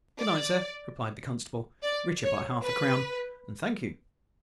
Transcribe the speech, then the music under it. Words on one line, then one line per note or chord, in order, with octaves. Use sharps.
"Good-night, sir," replied the constable, richer by half-a-crown--"and thank you."
D5
D5
C#5
B4